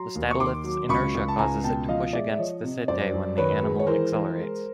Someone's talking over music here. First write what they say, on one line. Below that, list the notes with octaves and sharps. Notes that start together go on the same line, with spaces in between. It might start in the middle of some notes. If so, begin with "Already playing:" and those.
The statolith's inertia causes it to push against the setae when the animal accelerates.
Already playing: F#3 A#5 C6
D#2
C#6
D#3 C6 D6
F#3
C#2 B5 C#6
C#2
A5
C#2 G#5 A#5
B2 G5 A5
F3 D#5 F5
G#3 D5 E5
E5
F3 C#5 D#5
C3
F#2 C5 D5
F#2
D#3 B4 C#5
G#3
C#5
E3 A#4 C5
E3
G#3